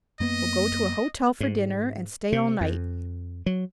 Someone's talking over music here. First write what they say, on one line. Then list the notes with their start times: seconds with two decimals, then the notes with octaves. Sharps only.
We'll go to a hotel for dinner, and stay all night.
0.20 F#2 A#3 B3 D#5
1.40 G#2
2.32 C3
2.61 F2
3.46 F#3